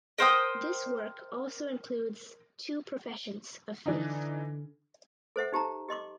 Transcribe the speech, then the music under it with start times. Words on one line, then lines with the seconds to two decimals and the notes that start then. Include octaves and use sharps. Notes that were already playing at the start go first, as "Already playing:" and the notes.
This work also includes two professions of faith.
0.18 A#4 C5 G5 D#6
3.86 D3 E3 D4 D#4
5.36 A4 C5 E5 F#5
5.52 D#4 G4 A5 A#5
5.89 G4 D#5 C6 D6